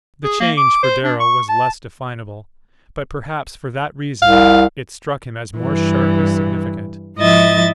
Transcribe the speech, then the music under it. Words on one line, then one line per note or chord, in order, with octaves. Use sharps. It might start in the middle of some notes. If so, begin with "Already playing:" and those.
The change, for Darrow, was less definable; but, perhaps for that reason, it struck him as more sharply significant.
G#4
A#3
D6
C5
D4
C#6
A5
C2 F5
G2 E3
G#2 F3 E4 D#5 E5 A6